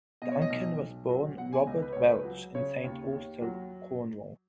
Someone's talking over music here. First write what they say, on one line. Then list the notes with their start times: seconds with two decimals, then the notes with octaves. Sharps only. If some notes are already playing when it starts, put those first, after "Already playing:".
Duncan was born Robert Welch in Saint Austell, Cornwall.
0.22 B2 D#5
0.32 C#5
0.42 D#5
0.51 B1
0.80 B1
1.09 F#3
1.38 B2 F#5
1.53 G#5
1.67 C#2 D#5
1.82 B4
1.93 C#2 C#5
2.04 B4
2.25 F#3
2.55 C#3 C#5
2.84 D#2
3.13 D#2
3.42 F#3